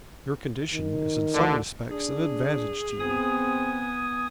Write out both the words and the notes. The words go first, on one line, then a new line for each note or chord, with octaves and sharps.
Your condition is in some respects an advantage to you.
D#3
D2 D3
D4 G#4
B3 C4 G#5 D#6